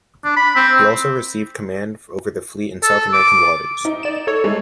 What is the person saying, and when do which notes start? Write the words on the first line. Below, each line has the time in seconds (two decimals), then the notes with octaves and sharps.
He also received command over the fleet in South American waters.
0.24 D4
0.37 B5
0.56 C4
2.83 A4
3.13 D6
3.85 D#4
4.03 D5 E7
4.27 A4 C#5
4.44 G#3 A3 D#4